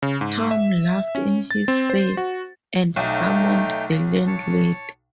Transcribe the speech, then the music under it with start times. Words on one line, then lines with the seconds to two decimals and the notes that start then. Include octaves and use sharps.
Tom laughed in his face; and summoned the landlady.
0.02 C#3
0.21 G#2
0.51 E5
1.15 C#4
1.51 A6
1.68 C4
1.90 C5
2.17 F#4
2.96 B1 A3 D#4 G5
4.27 C#5 A5